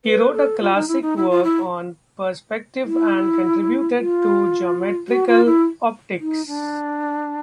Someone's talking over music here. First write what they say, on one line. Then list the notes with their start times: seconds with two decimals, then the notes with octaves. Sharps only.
He wrote a classic work on perspective and contributed to geometrical optics.
0.04 B4
0.32 A4
0.60 F4
0.74 D#4
0.88 E4
1.01 D#4
1.16 E4
1.30 F4
1.43 E4
2.84 E4
3.96 F4
5.08 F#4
5.27 F4
5.45 E4
6.20 D#4
6.47 D4